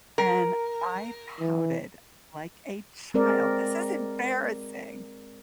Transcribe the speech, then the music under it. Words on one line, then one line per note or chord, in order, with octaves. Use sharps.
and I pouted like a child. This is embarrassing!
A#4
E3
G#3 C4 A#4 D5